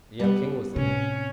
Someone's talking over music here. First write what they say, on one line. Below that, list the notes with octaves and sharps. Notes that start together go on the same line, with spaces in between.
The Young King was there.
G3 B3
A2 C3 C#4